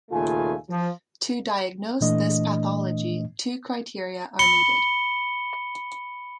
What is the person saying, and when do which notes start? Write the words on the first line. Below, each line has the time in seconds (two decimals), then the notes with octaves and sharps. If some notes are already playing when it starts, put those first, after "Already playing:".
To diagnose this pathology, two criteria are needed.
0.11 D#2 A#2 C#3 A3 F4 G#5
0.69 F3
2.01 A#2 E3 A3 D4 D#5
4.39 B5 C#7 G7